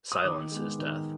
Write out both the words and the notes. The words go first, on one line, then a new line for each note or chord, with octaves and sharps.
Silence is death.
D#6
D#3 D6
G#3 B3
D#3